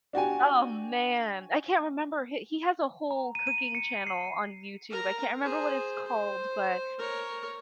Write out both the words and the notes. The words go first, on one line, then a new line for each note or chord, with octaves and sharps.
oh, man. I can't remember, h he has a whole cooking channel on YouTube. I can't remember what it's called, but,
D4 F#4 G4 G#5
A#5
D#7
D#7
C#7
C7
A#4 A#5
G#4 C5
C5
A#4 C#5